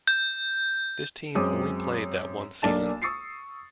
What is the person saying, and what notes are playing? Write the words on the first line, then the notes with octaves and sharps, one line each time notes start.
This team only played that one season.
G6
F#2 G#3 C4 D6 D#6
B1 A#3 D4 A5 A6 E7
C#6 D#6 E6 A6 C7 C#7